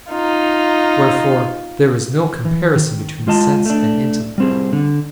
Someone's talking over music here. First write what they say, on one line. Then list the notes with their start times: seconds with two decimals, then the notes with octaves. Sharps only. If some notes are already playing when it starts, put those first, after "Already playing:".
Wherefore there is no comparison between sense and intellect.
0.11 D#4 F4
2.45 E3
2.76 D#3
3.27 G#3 F4 D#5 A5
3.66 A3 D4
4.38 G3 C4 G#4
4.73 D3